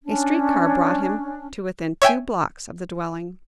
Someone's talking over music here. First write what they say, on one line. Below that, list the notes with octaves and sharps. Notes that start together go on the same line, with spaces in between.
A street car brought him to within two blocks of the dwelling.
C#4 D4
C#5 E5 G5 G#5